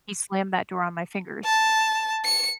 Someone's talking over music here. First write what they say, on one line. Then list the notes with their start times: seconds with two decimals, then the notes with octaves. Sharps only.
he slammed that door on my fingers,
1.45 A5
2.25 C#7